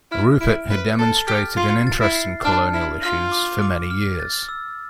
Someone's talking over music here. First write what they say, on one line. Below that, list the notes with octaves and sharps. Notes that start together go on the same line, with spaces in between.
Rupert had demonstrated an interest in colonial issues for many years.
E4 F6
E4 D7
B4 F6
A4 A6
G4 F6
F4 C7
A6
E4
C7
D4 F6
E4 F6
F4 F6
D6
D6
F6
A6
E6